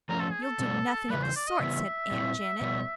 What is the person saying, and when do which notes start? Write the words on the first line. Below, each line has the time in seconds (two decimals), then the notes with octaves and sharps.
"You'll do nothing of the sort," said Aunt Janet.
0.09 F3 A3 C#4 F4 A#4
0.20 A4
0.31 G#4
0.42 A4
0.59 B2 G3 B3 D4
1.10 C#3 E3 G3 B4
1.23 C5
1.36 D5
1.48 D#5
1.60 C#3 E3 G3 B3 E5
2.11 A#2 G3 C4 E4
2.61 B2 G3 B3